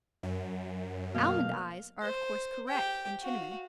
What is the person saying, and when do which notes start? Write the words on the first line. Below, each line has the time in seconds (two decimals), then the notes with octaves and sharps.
Almond eyes are of course correct in Chinamen.
0.23 F#2
1.14 B1 B2 A#3 F5 G6
2.02 C5
2.68 G4 G5
3.22 F#4 F5